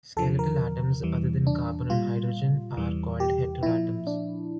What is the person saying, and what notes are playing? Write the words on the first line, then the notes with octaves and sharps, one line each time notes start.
Skeletal atoms other than carbon or hydrogen are called heteroatoms.
E2 D3 F3 A4
A#4
E2 E3 G3
D4
A#2 G3 F4
E2 E3 G3
G4
A#2 F3 E4
D4